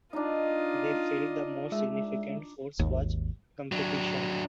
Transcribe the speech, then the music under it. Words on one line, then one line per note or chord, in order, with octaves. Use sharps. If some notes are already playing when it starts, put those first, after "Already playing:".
They felt the most significant force was competition.
D4 D#4 F4 D#5
G#3 E5
G#1 D#2
F#3 D4